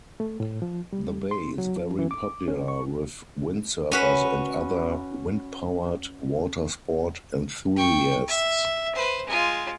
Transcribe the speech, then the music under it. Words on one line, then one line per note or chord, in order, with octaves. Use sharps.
The bay is very popular with windsurfers and other windpowered watersport enthusiasts.
A3
A2
F3
G3
C6
F#3
F3
E3
D6
C#4
C#6
C#4 F#4 B4
G5 C#6
E5
B4 C5
G#3 F4